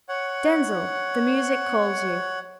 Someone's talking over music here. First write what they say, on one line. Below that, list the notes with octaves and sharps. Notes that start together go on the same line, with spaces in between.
Denzil, the music calls you.
C#5 F#5